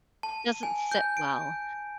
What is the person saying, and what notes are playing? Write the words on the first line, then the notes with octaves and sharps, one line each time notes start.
doesn't sit well,
A5
G#5
G6
D7